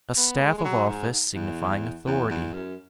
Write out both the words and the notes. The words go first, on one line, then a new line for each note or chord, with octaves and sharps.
A staff of office signifying authority.
B3
G#3
G#3
F#3
G#2
E2
E2
E2
F#2